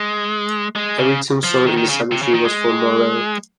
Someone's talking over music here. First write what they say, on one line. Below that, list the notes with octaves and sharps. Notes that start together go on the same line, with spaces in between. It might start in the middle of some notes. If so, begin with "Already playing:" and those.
"Every tombstone in the cemetery was for a Moreau".
Already playing: G#3
G#3
C#3
F3
D#3
D#3
C#3
C3
C#3
D#3
G#3